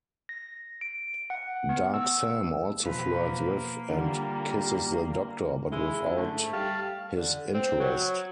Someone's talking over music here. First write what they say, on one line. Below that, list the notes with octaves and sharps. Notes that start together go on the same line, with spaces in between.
Dark Sam also flirts with and kisses the Doctor, but without his interest.
A#6
D7
F#5
B3
E6
B2 F3 B4
A#3
D3 G3 F4
G#3 E4
F#2
D3 A3
G#2
G3 F5 A5
D3
C4
F#3